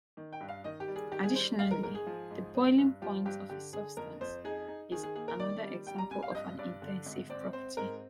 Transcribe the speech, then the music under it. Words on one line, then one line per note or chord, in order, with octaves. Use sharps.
Additionally, the boiling point of a substance is another example of an intensive property.
D#3
G5
G2
F5
D#3 D#5
G4
G3
G#4
D#3 G4
G#4
G3 C5
G#3 F5
A#4
G#2 A#4
G#4
F3
G#2
C4
G2
F3 G4
G2 G4
D3 G4
D3 G#4
F2 A#4
F2 C5
D#4 G#4
D#4
D#3 G#4
G#4
A#3 G#4
A#4
D#3 D5
G3
G3 G5
A#5
C2 G#5
F5
G2 D#5
G2 D5
D3
G#1
C4 D5
C4 C5
G#2 A#4